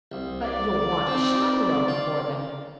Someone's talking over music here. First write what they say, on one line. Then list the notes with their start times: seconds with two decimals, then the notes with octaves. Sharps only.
"But you'll want a chaperone for them."
0.12 C2
0.41 D5
1.08 C4 D#4
1.88 F4